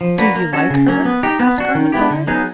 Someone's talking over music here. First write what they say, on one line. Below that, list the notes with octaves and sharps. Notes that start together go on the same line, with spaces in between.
"Do you like her?" asked Ermengarde.
F3
A#3 D4 F#4 B4
A#3
C#4 F#4 A4
C#3
F#3 A#3 C#4
B3
D#4 G4
B3
D4 F#4
D#3
G#3 B3 E4 G4
D3
F#3 B3 D#4 G#4